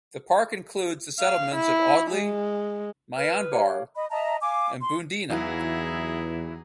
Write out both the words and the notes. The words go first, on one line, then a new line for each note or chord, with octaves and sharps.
The park includes the settlements of Audley, Maianbar and Bundeena.
F5
E4
G#3
B4 F6
G4 C#5 F5
D#5 B5
D#5 E5 A5 A#5
F5 G#5 D6
C6
E2 E3 F#3 D#4 E4 G#4 F5